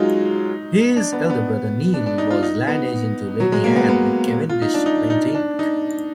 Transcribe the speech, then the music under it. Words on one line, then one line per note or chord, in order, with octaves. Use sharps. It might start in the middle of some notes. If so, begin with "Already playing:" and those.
His elder brother Neil was land agent to Lady Anne Cavendish-Bentinck.
Already playing: F#3 G#3 D#4 F4
D4
B3
B3
D4
D4
D#4
F4
D#4
B3
F#3
G#3
A#3
B3
B3
F4
D#4
D4
D#4
D#4
D4
D#4